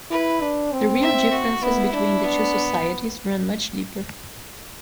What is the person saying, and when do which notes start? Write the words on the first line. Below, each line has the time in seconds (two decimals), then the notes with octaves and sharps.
The real differences between the two societies ran much deeper.
0.11 E4 B4
0.41 D4
0.72 C4
1.02 E5
1.32 F#4
1.62 B3 E4
1.93 D4
2.23 B3